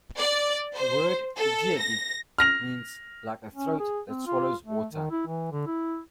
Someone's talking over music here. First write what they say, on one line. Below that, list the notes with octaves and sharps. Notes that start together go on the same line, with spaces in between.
The word Igiugig means, "Like a throat that swallows water".
D5
C5
A4
A#6
F6 A#6 F7
C#4
G#4
C4
F4
A3
D#3
E4
E3
D3
E4